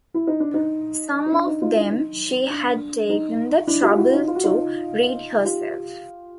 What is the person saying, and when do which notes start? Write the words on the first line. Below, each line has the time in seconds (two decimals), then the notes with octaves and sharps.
Some of them she had taken the trouble to read herself.
0.14 E4
0.27 D#4
0.40 D4
0.54 D#4
1.26 D#4
1.33 D4
1.47 D#4
1.62 D#4 F4
1.76 D4 E4
1.91 D#4
2.50 D4
3.09 D#4
3.67 D4 E4
3.82 F4 G4
3.97 E4 F#4
4.12 D#4 F4
4.28 F4
4.35 F#4
4.44 D#4 F4
5.44 F4 G4